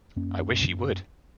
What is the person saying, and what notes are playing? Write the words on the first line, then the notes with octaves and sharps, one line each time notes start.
I wish he would!
F#2 A#3 C#4